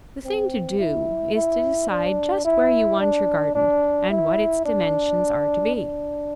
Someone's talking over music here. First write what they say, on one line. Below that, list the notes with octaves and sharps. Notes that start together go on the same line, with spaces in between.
The thing to do is to decide just where you want your garden, and what its dimensions are to be.
C4
E4
E4
D4
E4
D4
D4
E4
D4
D4